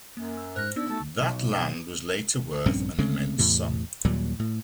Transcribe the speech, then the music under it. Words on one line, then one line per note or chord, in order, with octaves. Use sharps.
That land was later worth an immense sum.
F#2 A#3
E6
G#2 C5 F6 F#6 A#6
B3 D4 D#4 E6
A3 F#4 A5
B1
A#1 G2 C4 C#4
C#3 G#3 A3 C4
E2 A2 C3
D#2 A#2 F#3 G3
A2